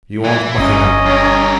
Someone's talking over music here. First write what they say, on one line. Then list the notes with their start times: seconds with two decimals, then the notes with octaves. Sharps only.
You want bucking up.
0.24 E3
0.58 G1 C#4 D#5 A#5
1.06 G2 A#4